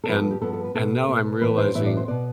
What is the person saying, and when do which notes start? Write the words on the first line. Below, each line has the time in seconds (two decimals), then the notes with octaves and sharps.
And and now I'm realizing,
0.04 A4
0.08 G2 F3 B3 B4
0.20 A4
0.31 G4
0.42 G2 F3 B3 A4
0.53 A4
0.64 B4
0.75 B2 B3 A4
1.08 B2 B3
1.41 A2 E3 B3 B4
1.58 C5
1.74 A2 E3 B3 E5
1.86 D5
1.97 C5
2.08 B2 B3 D5